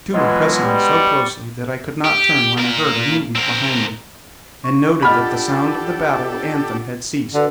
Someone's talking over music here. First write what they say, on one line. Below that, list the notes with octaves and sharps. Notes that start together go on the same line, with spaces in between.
Two were pressing me so closely that I could not turn when I heard a movement behind me, and noted that the sound of the battle anthem had ceased.
B2 E3 F#3 G#3 F4
G3
D5 C#6
G4
A#2 A#4
C4 A#4
C#6
D4 F4 G4 A4 F#5 B5 F6 A6
D3 F#4 B4